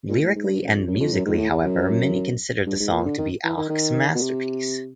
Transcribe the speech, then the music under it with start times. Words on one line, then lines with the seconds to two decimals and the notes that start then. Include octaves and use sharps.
Lyrically and musically, however, many consider the song to be Ochs' masterpiece.
0.09 A#2
0.22 A2
0.36 G#2
0.48 G2
0.62 F#2
0.74 F2
0.87 F#2
1.00 F2
1.12 F#2
1.26 G#2
1.38 A2
1.51 E2
1.64 F#2
2.67 G2
2.80 G#2
2.92 A#2
3.05 D3
3.19 D#3
3.44 E3
3.57 D#3
3.69 D#3
4.15 B2
4.21 C3